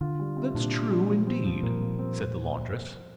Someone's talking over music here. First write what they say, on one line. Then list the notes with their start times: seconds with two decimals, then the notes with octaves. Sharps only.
"That's true, indeed!" said the laundress.
0.01 D3 F4
0.20 G3
0.37 C3
0.55 A#2 D4
0.73 F4
0.91 G3
1.09 F3
1.27 C4
1.45 F3
1.63 A#2 A#4
1.81 F3
1.99 C4
2.17 C5